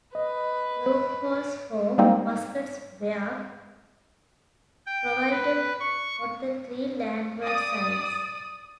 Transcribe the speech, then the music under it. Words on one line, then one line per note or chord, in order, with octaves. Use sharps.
Loopholes for muskets were provided on the three landward sides.
B4 D#5
G3 G#3 A#3 C4 D#4
G5
B4
C#6
D5 D#6